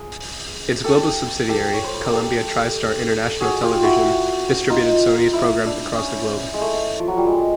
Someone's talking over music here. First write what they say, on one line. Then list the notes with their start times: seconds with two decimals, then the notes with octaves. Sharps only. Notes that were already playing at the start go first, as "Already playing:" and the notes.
Its global subsidiary, Columbia TriStar International Television, distributed Sony's programs across the globe.
Already playing: G#4
0.84 G4 A4
1.49 G4 A4
1.74 C#5
1.84 C5
1.94 B4
2.04 A#4
2.13 G4 A4
3.41 F#4 G#4
3.63 F4 G4
3.83 E4 F#4
4.70 D#4 F4
5.33 E4
5.66 D4
5.97 C#4
6.54 G#3
6.61 A3
7.00 F3
7.08 F#3
7.18 G3
7.26 G#3